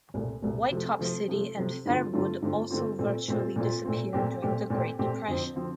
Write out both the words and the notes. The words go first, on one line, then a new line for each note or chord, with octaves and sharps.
Whitetop City and Fairwood also virtually disappeared during the Great Depression.
C2 A#2 A3
C2 A#2 A3
C3 F3 A3
C3 F3 A3
C3 F3 A3
C3 F3 A3
G2 D3 A3 C4 F4
G2 D3 A3 C4 F4
G2 D3 A3 C4 F4
G2 D3 A3 C4 F4
A#2 A3 C4 F4
A#2 A3 C4 F4
A#2 A3 C4 F4
A#2 A3 C4 F4
A#2 A3 C4 G4
A#2 A3 C4 G4
A#2 A3 C4 G4
A#2 A3 C4 G4
F2 D3 F3 C4
D3 F3 C4